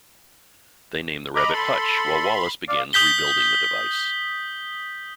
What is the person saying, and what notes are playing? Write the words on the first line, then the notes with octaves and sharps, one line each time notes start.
They name the rabbit Hutch while Wallace begins rebuilding the device.
D#5 A#5 B5 D6
A4 B5 C6
D5 F5
D#6 G6 B6 G7